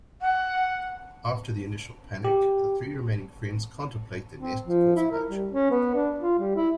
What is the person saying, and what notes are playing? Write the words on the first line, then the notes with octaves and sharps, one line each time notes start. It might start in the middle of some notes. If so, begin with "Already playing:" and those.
After the initial panic, the three remaining friends contemplate their next course of action.
F#5
G4
C4
F3
E4
A#4
G3
C#4
B3
D4
F4
G3
E4